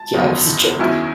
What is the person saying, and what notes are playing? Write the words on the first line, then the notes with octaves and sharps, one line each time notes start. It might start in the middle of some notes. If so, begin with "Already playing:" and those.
Yeah, it was a joke.
Already playing: A5
F#1 E2 D#3 F#3
E2 D#3 F#3 C#4 E4 G#5